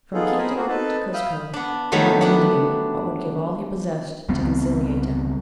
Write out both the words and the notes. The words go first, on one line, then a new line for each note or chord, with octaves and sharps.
From Quito to Cuzco not an Indian but would give all he possessed to conciliate him.
B3 D#4 F4 G#4 A4
G#4 A#4 C5 G#5 B5 D#6
A3 A#3 F4 F#4
C4 D#4 A4 B4 A5
E5 F5 G5 B5 D#6
B3 D4
D#3 F#3 G3 A3 B3
B3 D4
C#2 G3 B3 C4